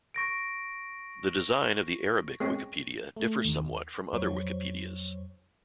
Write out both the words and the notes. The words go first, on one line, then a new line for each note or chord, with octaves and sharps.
The design of the Arabic Wikipedia differs somewhat from other Wikipedias.
C#6 A#6 D7
G#3 C4 C#4
A3
D#2
F2 F#3 C5 C#5